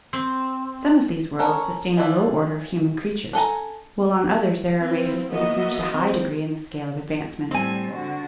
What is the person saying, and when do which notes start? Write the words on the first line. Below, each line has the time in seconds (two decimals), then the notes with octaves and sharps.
Some of these worlds sustain a low order of human creatures, while on others there are races that have reached a high degree in the scale of advancement.
0.13 C4
1.39 C#4 A4 A#4 C#5
1.97 E3 E4 F4 D5 E5
3.33 D4 A4 G#5 A#5
4.81 C4 E4 F4
5.30 A#3 B3 F#4 D#5 E5
5.92 C4
7.51 A2 G3 C4 G#5
7.92 D3 F#4